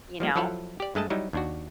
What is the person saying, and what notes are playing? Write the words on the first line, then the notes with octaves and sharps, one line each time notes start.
You know?
F3 G3 A#3
F3 F#3 E4 A4 F5 F#5
G4 D5
G2 G#3 A3 D#5 A5
F#3 G3 D#4 E4
D#2 D4 F#4